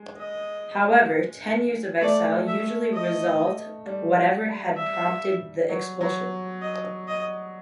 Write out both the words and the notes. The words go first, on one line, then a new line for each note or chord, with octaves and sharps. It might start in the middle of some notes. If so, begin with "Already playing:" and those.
However, ten years of exile usually resolved whatever had prompted the expulsion.
Already playing: G#3
D#5
A3 D5
E5
D#5
G3
E5
F#3
F#3
D#5
D#5